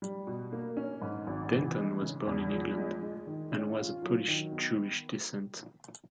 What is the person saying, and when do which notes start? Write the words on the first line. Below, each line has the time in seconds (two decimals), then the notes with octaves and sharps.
Denton was born in England and was of Polish Jewish descent.
0.02 G3
0.27 B2
0.52 A#3
0.77 C#4
1.02 G#2
1.27 G#1
1.52 E3
1.77 G#3
2.02 C#3
2.27 E2
2.52 F3
2.77 G#3
3.03 G#3
3.27 D#3
3.52 C#4
3.77 F4
4.03 F#3
4.28 D#3
4.52 B3